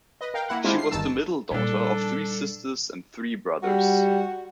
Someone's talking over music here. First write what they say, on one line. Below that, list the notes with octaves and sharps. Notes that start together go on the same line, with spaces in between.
She was the middle daughter of three sisters and three brothers.
B4 D#5
A#4 F5 G5
A#3 E4 F#5
G#3 C4 D4 E4 F4 G4
C7
G1 G2 D#3 A5 E6
A#2 G3 D4 A4
G3 F#4